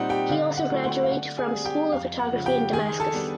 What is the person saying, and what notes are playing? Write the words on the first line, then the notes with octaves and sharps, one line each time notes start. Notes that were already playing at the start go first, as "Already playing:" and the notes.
He also graduate from School of Photography in Damascus.
Already playing: A#2 G3 C4 D#4 F#5
G4 G5
D3 F5
F#5
F#3 A3 C4 E4
F#5
F5
D3 F#5
G#4 G#5
G3 C4
G4 G5
F2 F5
F#5
C#3 F3
G4 G5
D#3 G#4 G#5
A4 A5
G3 B3 D4